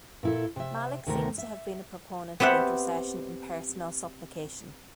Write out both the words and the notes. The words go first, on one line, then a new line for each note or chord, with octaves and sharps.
Malik seems to have been a proponent of intercession in personal supplication.
A#2 E4 A4
C3 E5
D2 C3 D#3 A3 A#4
E5
B3 C4 G4 E5 F#5